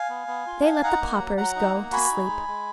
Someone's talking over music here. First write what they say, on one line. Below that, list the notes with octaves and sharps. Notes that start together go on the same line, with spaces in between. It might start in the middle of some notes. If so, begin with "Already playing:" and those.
They let the paupers go to sleep!
Already playing: F5 G#5
B3
B3
F4
D4
D#4 F#5 A#5
A#3
F#3
F#3 F#5 A#5
D#4
A#3
F#4 G#5 B5
D#4
G#3
G#3